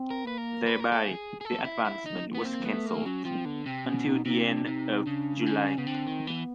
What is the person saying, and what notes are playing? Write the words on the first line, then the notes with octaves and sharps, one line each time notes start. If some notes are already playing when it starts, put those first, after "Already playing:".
Thereby, the advancement was canceled until the end of July.
Already playing: C4
A#4
A#3 B4
A#4
B4
A#4
A4
G#4
G#4
A4
E4
E4
D#4
A#3
B3
C4
A3 B3
A#3
F#3 C#4
F3 C4
D3 B3
C3 C4
B2 C#4
D#4
C3 D#4
D4
C3 D#4
C#3 D4
D4
D3 C#4
C#3
C#3 B3
D3 C4
D#3
E3 B3